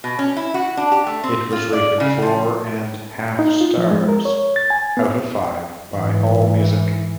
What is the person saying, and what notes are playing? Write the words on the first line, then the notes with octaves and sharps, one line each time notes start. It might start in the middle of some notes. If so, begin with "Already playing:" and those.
It was rated four and half stars, out of five, by AllMusic.
B2
C#4
E4
F#4
D4
G4
A3
C4
F4
D5
C#3
F3
D#4
F4
F3
G#3
A#4
C#5
A6
G#5
B3
G#2 E3